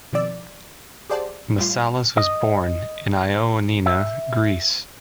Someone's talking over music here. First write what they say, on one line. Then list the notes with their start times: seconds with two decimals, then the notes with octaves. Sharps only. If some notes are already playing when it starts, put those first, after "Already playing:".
Massalas was born in Ioannina, Greece.
0.13 B2 D#3 F3 C4 D5 E6
1.10 G4 G#4 C5 D5 F#5 A5
1.58 A2 G3 F4 C7
2.17 D#5
3.86 E5